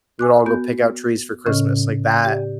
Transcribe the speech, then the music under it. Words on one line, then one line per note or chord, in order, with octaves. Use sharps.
we would all go pick out trees for Christmas, like, that
G#5 D6 F#6
B3 F#4 G6
A2 C#3 C#4 D#5 F6
G4 D5